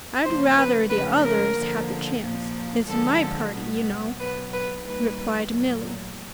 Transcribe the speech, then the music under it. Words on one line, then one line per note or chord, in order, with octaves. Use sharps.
"I'd rather the others had the chance--it's my party, you know," replied Milly.
C#3 F3 A#3 C5
B4
C#3 F3 A3 B4
A#4
D3 F3 A#3
A#2 F3 A#3
D3 F3 G#3 A4
B2 G3 B3
B2 F#3 B3 B4
B4
D#3 G3 A#3 B4
A#2 F#3 A3